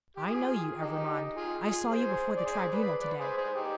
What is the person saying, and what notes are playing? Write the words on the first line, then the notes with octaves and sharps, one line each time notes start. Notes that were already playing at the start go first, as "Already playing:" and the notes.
I know you, Evremonde; I saw you before the Tribunal to-day.
G4
F4 G#4
D#4 G4
F4 G#4
F4 G#4
G#4 C5
D5
G#4 C5
B4 D5
B4 D5
G#4 C5
G#4 C5
D#4 G4